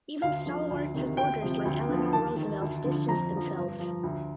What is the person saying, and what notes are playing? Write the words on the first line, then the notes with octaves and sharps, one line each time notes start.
Even "stalwart supporters" like Eleanor Roosevelt distanced themselves.
D2 F5
D3 F3
D2
C3 D#3
D2 G5
C3 F3
D2
D3 F3
D#2 A5
D#3
D2
D3 F3
F2 A#5
D3 F3
G2
F3
D2